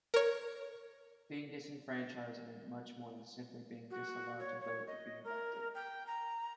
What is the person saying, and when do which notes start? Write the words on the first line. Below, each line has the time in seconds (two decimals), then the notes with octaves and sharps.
Being disenfranchised meant much more than simply being disallowed to vote or be elected.
0.14 A#4 C#5
3.91 F#4
4.40 C#5
4.61 C#5
4.87 D#5
5.24 A#4
5.75 G5
6.07 A#5